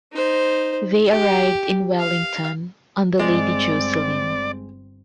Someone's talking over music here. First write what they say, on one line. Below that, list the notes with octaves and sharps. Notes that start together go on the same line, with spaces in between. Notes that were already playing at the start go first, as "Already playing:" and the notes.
They arrived in Wellington on the "Lady Jocelyn".
D#4 C5
G4
F5
G1 G#3 C4 D5